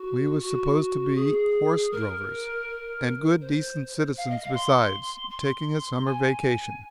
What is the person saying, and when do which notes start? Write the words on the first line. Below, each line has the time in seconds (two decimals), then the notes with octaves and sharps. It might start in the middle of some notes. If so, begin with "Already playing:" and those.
We was supposed to be horse drovers, and good decent citizens besides, taking a summer vacation.
Already playing: F#4
0.41 F#4
1.16 G#4
1.92 A#4
3.41 C5
3.93 C5
4.18 F5
4.30 D#5
4.43 F5
4.54 C6
5.30 C6
6.06 G#5